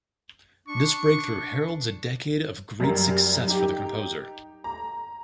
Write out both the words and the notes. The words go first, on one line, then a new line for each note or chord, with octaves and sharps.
This breakthrough heralds a decade of great success for the composer.
D4 C#6
F#2 G3 A#4
D#4 G4
A#5